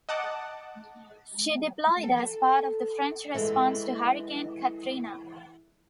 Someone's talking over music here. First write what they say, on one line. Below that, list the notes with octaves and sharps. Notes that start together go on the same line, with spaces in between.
She deployed as part of the French response to Hurricane Katrina.
D#5 F#5 A5 D6
A4
E3 G#3 A4